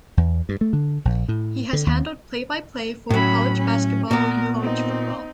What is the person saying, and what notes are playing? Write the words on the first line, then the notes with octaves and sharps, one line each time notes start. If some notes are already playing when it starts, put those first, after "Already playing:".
He has handled play-by-play for college basketball and college football.
E2
G2
A3
D3
A#1
A2
D3
D#2
A2 F#3 C#4 B5
C#4
A#2 B3 A#4
C4 D#4